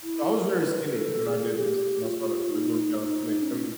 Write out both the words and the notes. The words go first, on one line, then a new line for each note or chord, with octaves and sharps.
So, I was very skinny when I did this, when I started, like, doing calisthenics I mean,
E4
A#4
B4
A4
G#4
G4
F4
D#4
C#4